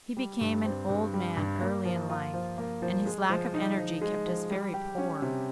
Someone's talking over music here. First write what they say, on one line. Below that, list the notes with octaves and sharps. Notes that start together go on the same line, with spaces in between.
He became an old man early in life, and his lack of energy kept us very poor.
G3
G2
C4
G2
G3
G2
A#3
F3
F4
F3
A#3
F3
G#3
F3
D#4
F3
G#3
F3
G3
G4
C#4
C3